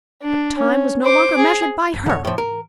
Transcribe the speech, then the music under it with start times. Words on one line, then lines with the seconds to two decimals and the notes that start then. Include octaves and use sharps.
But time was no longer measured by her!
0.22 D4
0.58 C#4
1.02 C5 D6
1.37 G#4
1.94 G1 F#2
2.06 F2 B2 D3 C#5
2.25 A2 F3
2.38 G#2 E3 A#4